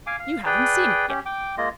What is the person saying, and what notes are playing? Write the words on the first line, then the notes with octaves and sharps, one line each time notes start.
You haven't seen it yet.
F5 G#5 D6
F5
G#4 B4 D5 G5
C#4 G4
G5 D6
G#3 A#3 F4 D#5